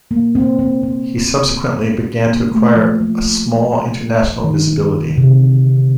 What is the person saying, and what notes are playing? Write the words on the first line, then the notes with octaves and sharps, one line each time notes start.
He subsequently began to acquire a small international visibility.
A#3
C4
C4
C4
A#3
A3
F3
F3
D#3
D3
C3